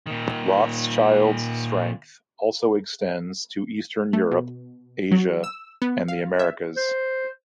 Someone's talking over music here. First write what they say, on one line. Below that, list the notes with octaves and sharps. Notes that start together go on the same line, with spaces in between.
Rothschild's strength also extends to Eastern Europe, Asia and the Americas.
A#2 D#3
A3
B2
F#3
E6
B3
F5
E5
C5